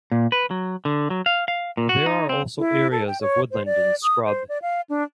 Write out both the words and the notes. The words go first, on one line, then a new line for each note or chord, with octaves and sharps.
There are also areas of woodland and scrub.
A#2
B4
F#3
D3
F#3
F5
F5
A#2
F#4
D#4
C4
E4
A4
G5
C#5
C5
D5
D#6
C5
D5
F5
D4